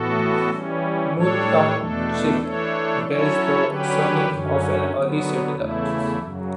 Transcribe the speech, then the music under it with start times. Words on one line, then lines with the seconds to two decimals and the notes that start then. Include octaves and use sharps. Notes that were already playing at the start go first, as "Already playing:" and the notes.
Moore Township bears the surname of an early settler.
Already playing: A2 E3 B3 F#4 A4
0.50 E3 G3 C#4
1.14 A2 G3 D4 A4 C#5
1.76 E2 B2 A3 D4 A4
2.40 E3 A3 D4 A4 C#5
3.03 F#3 C#4 E4 A4 C#5
3.66 D3 F#3 C#4 G4 B4
4.29 F#2 D3 F#3 C#4
4.92 D3 F#3 B3
5.55 E2 C#3 E3 A3 E4
6.19 F#2 C#3 F#3